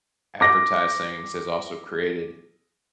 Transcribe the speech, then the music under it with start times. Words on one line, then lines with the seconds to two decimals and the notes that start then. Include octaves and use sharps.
advertisings has also created,
0.41 D6 A#6